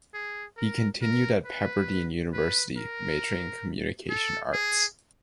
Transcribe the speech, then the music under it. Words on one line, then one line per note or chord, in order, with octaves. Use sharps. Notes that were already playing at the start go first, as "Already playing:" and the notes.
He continued at Pepperdine University, majoring in Communication Arts.
G#4
A#4
A#4
B4
B4
A#4
A4
G#4